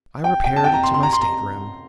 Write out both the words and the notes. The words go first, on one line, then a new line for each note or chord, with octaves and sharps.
I repaired to my stateroom.
G5
G5
A5
G5
A#5
C6
C6
A#5
C6
A#5